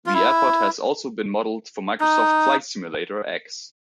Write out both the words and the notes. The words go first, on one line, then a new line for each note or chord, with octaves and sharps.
The Airport has also been modelled for Microsoft Flight Simulator X.
F4
E4
D#4